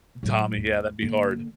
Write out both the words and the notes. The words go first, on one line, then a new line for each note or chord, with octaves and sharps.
Tommy, yeah, that'd be hard.
A2 F#3
D#2
D3 A#3